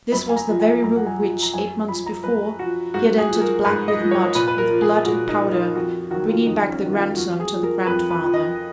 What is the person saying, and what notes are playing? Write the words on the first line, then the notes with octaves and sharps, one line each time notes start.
This was the very room which, eight months before, he had entered black with mud, with blood and powder, bringing back the grandson to the grandfather.
F#2 B5
G#5
A#5
F3
G#5
F#2 A#5
F#5
G#5
F3
A#5
F#2 G#5
F3 B5
A#5
F#2 B4
F3 F#4
G#2 F#4
G#4
F3
A#4
G#2 B4
D#5
F3
C#5
A#2 B4
B4
A#4
F3
G#4
A#2 F#4
D#4
F3
D#4
F4
F2 F#4
D#3 F#3 F#4
F4
F2 D#4
C#4
D#3 F#3
F4
F2 F#4
G#4
F3
A#4
F2 B4
B4
F3
D#5